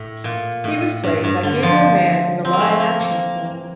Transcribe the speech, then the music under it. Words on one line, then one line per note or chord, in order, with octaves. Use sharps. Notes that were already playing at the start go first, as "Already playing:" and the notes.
He was played by Gabriel Mann in the live-action film.
Already playing: A2
A#2
A2
G2
G2
D3
F3
C4
A#3
A3
A#3
A#3